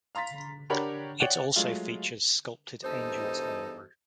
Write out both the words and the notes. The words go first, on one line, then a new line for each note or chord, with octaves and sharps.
It also features sculpted angels on the roof.
F5 A#5 C6 A6 B6
D4 G4 A#4 C#5 F#5 B5
C#5 D5 F#5 G5
F#3 G#3 A3 F4
E2 G2 D#4 A4 C5 D#5